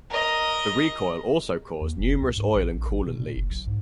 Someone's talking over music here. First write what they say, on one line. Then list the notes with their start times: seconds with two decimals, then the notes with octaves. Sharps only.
The recoil also caused numerous oil and coolant leaks.
0.10 A#4 D#5
1.81 D#2
1.98 F1
2.22 C#2
2.36 G#2
2.55 A#1
2.73 A#1
2.90 G#1
3.06 B2
3.19 A#2
3.36 F#1
3.50 B1
3.66 G#2